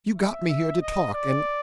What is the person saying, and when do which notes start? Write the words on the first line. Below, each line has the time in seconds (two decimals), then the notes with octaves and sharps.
You got me here to talk, and . . .
0.17 E5
0.48 E5
0.81 D#5
1.13 D5